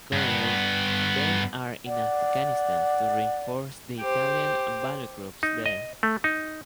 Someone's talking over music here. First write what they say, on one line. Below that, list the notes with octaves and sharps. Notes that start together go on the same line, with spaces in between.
Currently ten are in Afghanistan to reinforce the Italian Battlegroups there.
G2 B3
D5 F#5
G4 C5
D#4
D#5
A3
D#4